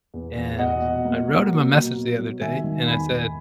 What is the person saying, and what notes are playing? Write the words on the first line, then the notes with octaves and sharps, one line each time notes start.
and I wrote him a message the other day, and I said,
E2
E2
B2 D#5 F#5
B2
A#3
A#3
F#3
B2
B2
F#3
D#3 E5 G#5
D#3
E2 G#5 B5
D#3